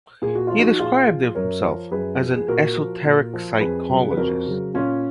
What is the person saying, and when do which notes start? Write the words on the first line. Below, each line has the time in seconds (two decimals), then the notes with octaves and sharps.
He described himself as an "esoteric psychologist".
0.22 A#2 G#4
0.35 F#4
0.47 F3 F4
0.59 D#4 F#4
0.79 A#2 F4 G#4
1.07 F3
1.35 F#2 A#4 C#5
1.63 F3
1.91 F#2 G#4 B4
2.19 F3
2.36 G#4
2.48 A#2 F#4 A#4
2.76 F3
3.05 A#2
3.34 F3
3.61 F2 G#4 B4
3.90 C#3 F#3
4.11 B4
4.17 F2 F#4 A#4
4.47 C#3 F#3
4.74 A#2 C#4 F4